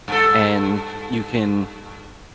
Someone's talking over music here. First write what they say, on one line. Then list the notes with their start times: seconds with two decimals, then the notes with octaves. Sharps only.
and you can
0.08 G2 A4